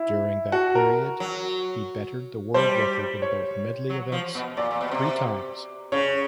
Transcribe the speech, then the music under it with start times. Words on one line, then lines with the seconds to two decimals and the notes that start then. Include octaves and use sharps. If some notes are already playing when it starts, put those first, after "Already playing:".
During that period, he bettered the world record in both medley events three times.
Already playing: E4
0.52 F#4
0.75 A#4
1.20 F#3
2.54 G3 C5
3.22 C#5
3.90 F#3
4.12 F3
4.35 B2
4.57 A#2 D5
4.71 A#2
4.81 B2
4.91 C3
5.92 C#3 C#5